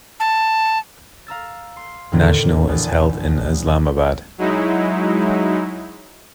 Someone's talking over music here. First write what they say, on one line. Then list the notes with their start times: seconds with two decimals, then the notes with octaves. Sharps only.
National is held in Islamabad.
0.20 A5
1.27 F5 A#5 E6 A6
1.76 C6
2.12 D#2 A2 D3 D#3
2.68 A#1 E2 A5
4.38 F#3 G#3 D#4 E4